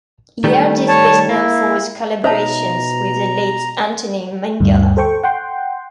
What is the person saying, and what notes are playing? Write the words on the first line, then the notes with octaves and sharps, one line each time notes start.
Yared is best known for his collaborations with the late Anthony Minghella.
D#3 G3 A3
C#5 A5
A#3 E4
B2 D#4 C5 C#5 D#5 E5 A5 A#5
D2 G2
A4 C5 G5 C#6
F#5 G5 C6